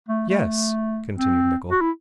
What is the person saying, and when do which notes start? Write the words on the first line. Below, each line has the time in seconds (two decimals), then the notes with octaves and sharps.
"Yes," continued Nicholl.
0.09 A3
0.30 A3
1.16 C4
1.71 F#4
1.81 E4